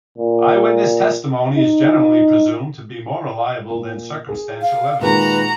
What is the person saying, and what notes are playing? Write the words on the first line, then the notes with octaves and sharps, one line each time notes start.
Eyewitness testimony is generally presumed to be more reliable than circumstantial evidence.
A#2
D#4
A#2
G#4
F5
A#2 D#3 G#3 F#4 B4 A#5